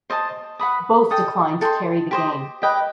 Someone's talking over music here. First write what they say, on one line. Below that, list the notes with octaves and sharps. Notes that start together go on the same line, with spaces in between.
Both declined to carry the game.
C5 D#5 A5
B4 F#5 B5 D#6
A4 D#5 G5 D#6
A4 D#5 G5 C6
G4 C5 D#5
G4 B4 D#5 G5